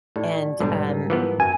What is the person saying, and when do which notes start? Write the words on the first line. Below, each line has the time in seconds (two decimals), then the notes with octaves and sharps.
and, um
0.16 A2 D#4 G4 D5
0.60 B1 G#2 D3 G3
0.87 D#4 A#4
1.10 E3 F3 B3
1.40 F#2 G#5